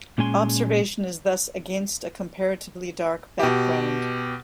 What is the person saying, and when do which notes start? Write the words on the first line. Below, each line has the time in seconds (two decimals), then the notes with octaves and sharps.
Observation is thus against a comparatively dark background.
0.18 A#2 G#3 C#4 G#5 C6
3.40 B2 G4